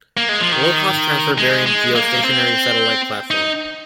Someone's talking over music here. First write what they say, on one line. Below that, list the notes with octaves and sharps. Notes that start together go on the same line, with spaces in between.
Low cost transfer variant geostationary satellite platform.
A#3
G#3
F3
D#3
G#3
G#3
A#3
C4
D#4